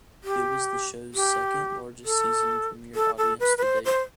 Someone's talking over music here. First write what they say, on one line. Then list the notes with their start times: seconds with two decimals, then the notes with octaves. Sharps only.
It was the show's second largest season premiere audience to date.
0.24 G4
1.14 G4
2.05 A4
2.95 A4
3.18 A4
3.40 B4
3.58 B4
3.63 C5
3.85 C5